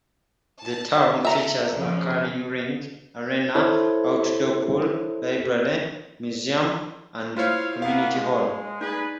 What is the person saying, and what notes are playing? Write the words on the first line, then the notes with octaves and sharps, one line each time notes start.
The town features a curling rink, arena, outdoor pool, library, museum and community hall.
A5
A4 A#4 E5 A#5
C#3 F3
E4 A4 C5 C#5
E4 F4 C5 C#5 F5
A#3 B3 F5
G#3
D#4 G#4 B4 D5